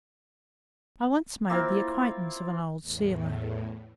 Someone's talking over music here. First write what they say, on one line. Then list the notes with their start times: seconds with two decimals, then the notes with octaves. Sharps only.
I once made the acquaintance of an old sealer.
1.50 A#3 C4 E4 F4
2.80 E2 A2